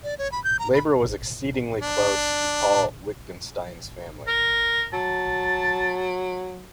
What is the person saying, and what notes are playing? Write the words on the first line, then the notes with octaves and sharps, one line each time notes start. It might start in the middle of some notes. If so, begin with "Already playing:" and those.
Labor was exceedingly close to Paul Wittgenstein's family.
D5
C#5
B5
G6
A#5
B5
D4
A#4
F#3 A5